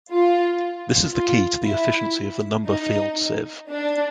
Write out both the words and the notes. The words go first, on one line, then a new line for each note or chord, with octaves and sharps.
This is the key to the efficiency of the number field sieve.
F4
F4
E4
D#4
D4